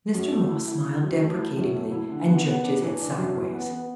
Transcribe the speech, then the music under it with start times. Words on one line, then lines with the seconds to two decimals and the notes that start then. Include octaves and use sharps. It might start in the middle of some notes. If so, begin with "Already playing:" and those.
Mr. Moss smiled deprecatingly and jerked his head sideways.
0.14 F#2
0.32 A3
0.49 E4
0.68 E4
0.85 D3
1.03 F#2
1.21 A3
1.39 E4
1.57 F#2
1.75 A3
1.92 E4
2.10 D3
2.28 B3
2.45 B3
2.63 D4
2.82 E3
2.99 D4
3.17 F#2
3.34 E3
3.53 B3
3.71 B3